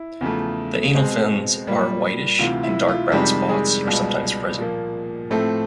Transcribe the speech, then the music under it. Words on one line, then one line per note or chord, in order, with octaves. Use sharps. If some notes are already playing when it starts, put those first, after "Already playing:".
The anal fins are whitish and dark brown spots are sometimes present.
Already playing: E4
E2 C#3 F3 A3
B2 G#3 C4
A#2 G3 A#3
D2 C3 E3 F4
E4
F4
F2 C3 D#3 G3 G#3 G4
G#3 G#4
C#2 B2 G3
A#2 F3 A#3
A2 F3 A3 C4 A4